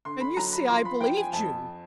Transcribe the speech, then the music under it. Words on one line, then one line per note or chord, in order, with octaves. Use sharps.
And you see I believed you.
D3 C6
B5
F#3 A#5
B5
F3 C6
B5
F3 G5
G#5
F2 A5